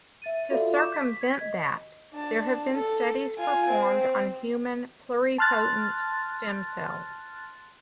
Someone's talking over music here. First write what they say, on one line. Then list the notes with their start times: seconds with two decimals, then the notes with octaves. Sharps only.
To circumvent that, there have been studies performed on human pluripotent stem cells.
0.22 E5 A6 D#7
0.50 F4 F#4 A4 D5 E5 F5
0.76 C#6 D6 G6 E7
0.94 B6
1.21 G#6 B6
1.41 D#5
2.14 D4 A5
2.74 A4
3.38 F4 G#5
3.69 C4
5.38 A5 C6 F6 F#6 A6